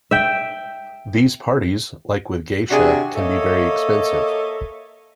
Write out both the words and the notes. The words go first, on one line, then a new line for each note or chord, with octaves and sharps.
These parties, like with geisha, can be very expensive.
E5 G5
C3 D4 F#4 G#4
A#3 A4 C#5 D#5 E5